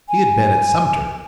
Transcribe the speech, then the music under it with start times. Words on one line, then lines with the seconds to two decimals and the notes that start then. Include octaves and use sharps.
He had been at Sumter.
0.09 G#5